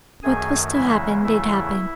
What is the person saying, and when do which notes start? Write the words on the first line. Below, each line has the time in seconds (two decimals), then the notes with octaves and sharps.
What was to happen did happen.
0.23 F#2 D#3 A3 G#4 G#5
0.73 E2 C#3 E3 G#3 E4 E5
1.24 E2 C#3 E3 A3 E4 E5